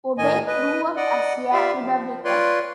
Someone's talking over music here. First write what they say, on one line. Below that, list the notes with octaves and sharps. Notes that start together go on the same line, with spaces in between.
Obey grew up as a Republican.
A2 D#3 D#5 G#5
B4 D#5
D5 D#5 F#5
F4 G4 D5 E5 F5
F3
F4 B4 C#5 D5 C6